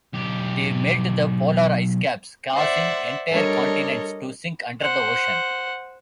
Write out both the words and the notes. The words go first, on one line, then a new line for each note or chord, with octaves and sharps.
They melt the polar ice caps, causing entire continents to sink under the ocean.
B1 G4
C5 D5 E5 F#5
G3 D4 A4 A#4 C#5 D#5
C5 F#5